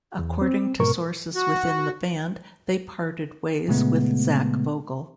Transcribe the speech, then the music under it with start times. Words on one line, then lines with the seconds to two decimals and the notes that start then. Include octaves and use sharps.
According to sources within the band, they parted ways with Zach Vogel.
0.19 E2
0.41 C4
0.80 G#2 B2 A#4 C#6
1.35 F#4
3.68 A#2 C#3 G#3 A3 B3